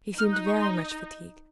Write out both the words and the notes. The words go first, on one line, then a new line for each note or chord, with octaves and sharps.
He seemed very much fatigued.
D#4 F6
F#6
C#6
C6